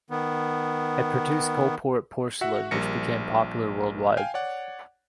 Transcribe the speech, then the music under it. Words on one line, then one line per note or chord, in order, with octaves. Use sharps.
It produced Coalport porcelain which became popular worldwide.
D#3 B3
F#4 E5 F#5
A#1 G3 A#4 A#6 C#7
F5 G5 G#5
C#5 D5 F#5